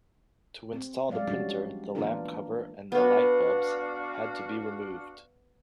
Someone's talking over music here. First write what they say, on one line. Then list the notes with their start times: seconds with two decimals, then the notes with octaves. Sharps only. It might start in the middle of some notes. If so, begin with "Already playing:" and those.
To install the printer, the lamp cover and light bulbs had to be removed.
0.73 C4
1.09 F#3 G#3 D5 F5
1.28 F3 G3 C#4 D4 F#4
1.95 E3 A#3 B3 D4 F4 A#4
2.92 B3 D4 F#4 F5